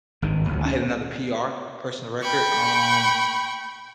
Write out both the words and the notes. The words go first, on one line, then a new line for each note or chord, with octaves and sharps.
I hit another PR- personal record, um
G#1 G2 D#3
D2 D#3 F#3
C#4
G5 B5 C#6